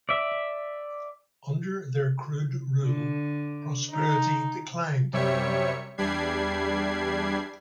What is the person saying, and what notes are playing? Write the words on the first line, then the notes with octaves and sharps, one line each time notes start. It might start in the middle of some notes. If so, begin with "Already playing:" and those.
Under their crude rule, prosperity declined.
D5 E5
D3
D#4
F#2 C3 G3 C#5 E5 C#7
E2 G3 D4 B5 G#6 C7